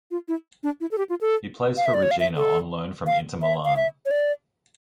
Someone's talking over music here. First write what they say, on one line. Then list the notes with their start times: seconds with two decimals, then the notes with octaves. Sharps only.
He plays for Reggina on loan from Inter Milan.
0.11 F4
0.28 E4
0.63 D4
0.81 E4
0.91 A4
0.98 G4
1.10 F4
1.21 A4
1.77 F5
1.86 E5
1.94 D5
2.03 C#5
2.11 F5
2.20 E5
2.37 A4
3.07 F5
3.42 E5
3.65 F5
3.76 E5
4.06 C#5
4.11 D5